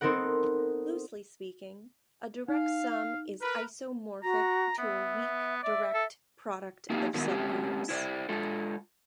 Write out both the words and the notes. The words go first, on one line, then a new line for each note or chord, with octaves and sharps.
Loosely speaking, a direct sum is isomorphic to a weak direct product of subgroups.
B3 C4 D#4 A4 A#4 F#5
D#4 F5
A#4 B4
F#4 A#5
B3 E5
D5 E5
A4
A#3 C4 D#4 F4 G4
D#3 F#3 G#3 A#3 B3 E4
G#3 C4 C#4 G4
E4 C5 D5
G#3 F4 A4